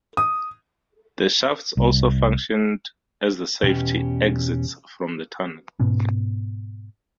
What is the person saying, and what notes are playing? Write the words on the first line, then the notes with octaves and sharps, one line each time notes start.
The shafts also functioned as the safety exits from the tunnel.
D#6
C2
E2 B2 C#4 G4
G#2 B2 B3 C#4